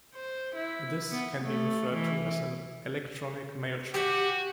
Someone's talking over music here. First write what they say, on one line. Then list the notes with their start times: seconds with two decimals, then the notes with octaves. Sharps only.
This can be referred to as an "electronic mailshot".
0.15 C5
0.56 E4
1.12 B3
1.44 A3
1.93 E3
3.94 F#4 G4